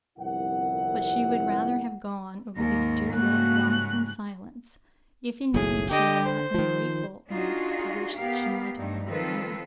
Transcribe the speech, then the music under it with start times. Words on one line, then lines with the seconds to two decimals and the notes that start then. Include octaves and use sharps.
But she would rather have gone over these dear-loved walks in silence, if indeed she were not ungrateful enough to wish that she might have been alone.
0.19 G1 C2 F2 E4 A#4 F#5
2.57 D#2 G#2 A#3 A#4
3.13 G#2 C#3 G3 A3 A#3 C#4 F#4 F#6
5.54 F#1 B1 A2 G#4
5.91 D3 G4 D#5
6.25 C5
6.54 D#3 F3
7.30 D4 D#4 F4 F#4 G#4
8.17 B3 G4 A#4 F5
8.75 G2 A3 D#4
9.07 D#3 F3 C4 F4 A4 B4